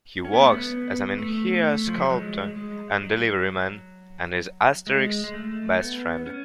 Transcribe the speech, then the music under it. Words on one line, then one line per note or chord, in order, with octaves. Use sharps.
He works as a menhir sculptor and deliveryman, and is Asterix's best friend.
C#4
B3
A3
B3
A3
F3
F#3
G#3
G#3
F#3
G#3
G#3
A3
B3
C#4